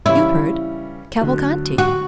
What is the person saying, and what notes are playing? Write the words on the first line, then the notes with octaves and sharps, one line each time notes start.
"You heard--Cavalcanti."
C#3 E3 G3 C#4 E4
D2 D3 F#3
F#4